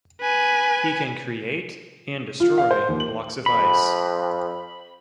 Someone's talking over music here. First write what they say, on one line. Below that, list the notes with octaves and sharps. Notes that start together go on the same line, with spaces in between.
He can create and destroy blocks of ice.
B4 G#5
F4
F5
C5
D#2
F#7
F2 B5